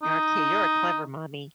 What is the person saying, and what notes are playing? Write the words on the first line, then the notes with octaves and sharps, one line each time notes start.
Okay, you're a clever mommy.
D#4